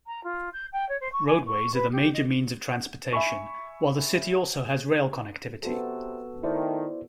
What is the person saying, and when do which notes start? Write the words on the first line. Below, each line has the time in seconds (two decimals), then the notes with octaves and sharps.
Roadways are the major means of transportation, while the city also has rail connectivity.
0.06 A#5
0.23 F4
0.53 G6
0.72 G5
0.89 C#5
1.00 C5
1.12 C#6
1.27 G#5
1.46 C#6
1.74 B4
1.92 G4
2.13 D#5
3.13 E5 G#5 B5 C#6
5.63 C3 B3 F#4 A4
6.43 D#3 A3 E4 C5 D5